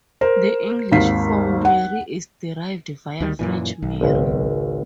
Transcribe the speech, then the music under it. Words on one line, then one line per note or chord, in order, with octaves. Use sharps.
The English form "Mary" is derived via French "Marie".
A#4 C5
G#1 D#2 F5 B6 C7
F#5
D2 D#3 G3
F#2 A#2 E3 G#5
B1
G#1 C#2